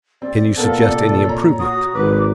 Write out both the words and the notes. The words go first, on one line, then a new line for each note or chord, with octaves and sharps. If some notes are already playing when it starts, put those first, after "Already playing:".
Can you suggest any improvement?
C4 D5
A#2 B3 A4 A#4 F5
C3
C#5 A#5
F#4 D#6
G#1 B4 D6